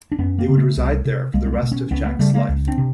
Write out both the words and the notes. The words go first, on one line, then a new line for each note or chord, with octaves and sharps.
They would reside there for the rest of Jack's life.
D4
F#2 B3 C#4
A#3 C4
C#3
A3 B3
C2
C3
C2 G#3 A#3
C4
A3 B3
B2
B3 C#4
C#2 B3 C#4
A3 B3
C#3 G3 A3
G#3 A#3
C#2
C4 D4
C3